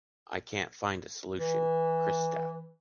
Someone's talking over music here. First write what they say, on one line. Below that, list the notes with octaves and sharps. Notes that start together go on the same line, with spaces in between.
I can’t find a solution, Kristap.
E3